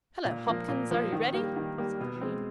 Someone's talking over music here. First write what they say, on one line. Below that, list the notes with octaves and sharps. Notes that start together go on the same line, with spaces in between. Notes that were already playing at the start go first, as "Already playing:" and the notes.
"Hullo, Hopkins, are you ready," said Irene.
A#2
F3 A#3
A#2
F3 A#3
D#3
G3 A#3
D#3
G3 A#3
B2
G#3 C4